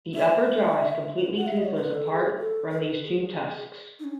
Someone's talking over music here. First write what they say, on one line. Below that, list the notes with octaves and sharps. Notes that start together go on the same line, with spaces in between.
The upper jaw is completely toothless apart from these two tusks.
E5
F#5
E5
D#5
C#5
B4
A4
G#4
A4
B4
A4
B4
G#4
D#4
C#4